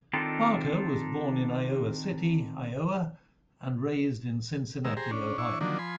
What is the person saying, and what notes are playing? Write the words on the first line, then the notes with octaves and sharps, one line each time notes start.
Parker was born in Iowa City, Iowa and raised in Cincinnati, Ohio.
D#3 C4 D4 D#4 F4 A4
D#3 G#3 A#4 E6
G4 G#4 C5 A#5
C#4 D4
D4 E4 C#6
D3 D#3 F3 F#3 A#3 D4
F3 G#5 B5 C6